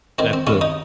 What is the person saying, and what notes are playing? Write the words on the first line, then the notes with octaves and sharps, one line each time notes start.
that's a
D#3 C4
C4
D#2 C#4
D#4